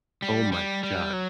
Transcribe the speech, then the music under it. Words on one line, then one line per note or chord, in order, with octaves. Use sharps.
Oh, my god.
G3
G3
G3
F#3